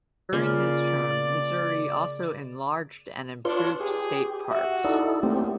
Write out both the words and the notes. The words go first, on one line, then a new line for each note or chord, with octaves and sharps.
During his term, Missouri also enlarged and improved state parks.
C#3 A#3 F4 D5
D4 F4 B4 C#5 C6
G4 G#4
F#4 E5
D#4 E4 A4 D5
F#2 A3 A#3 C4 G4